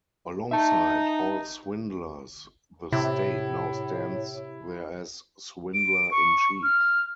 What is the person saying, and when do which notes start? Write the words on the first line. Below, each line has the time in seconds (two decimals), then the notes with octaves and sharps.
Alongside all swindlers the state now stands there as swindler-in-chief.
0.51 D#4 E5 A5
2.92 A2 C3 E4
5.74 D7
6.11 C#6
6.63 F6